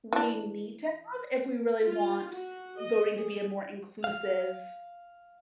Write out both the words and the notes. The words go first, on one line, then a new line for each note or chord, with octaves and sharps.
we need to have if we really want voting to be a more inclusive
E3 D4
F4
F#4
D#5
G#4
F5